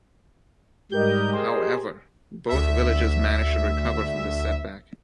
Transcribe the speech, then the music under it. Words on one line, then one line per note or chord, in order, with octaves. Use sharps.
However, both villages managed to recover from this setback.
G#2 G3 G4 A#4 D#5 G6
G#4 C5
D2 E5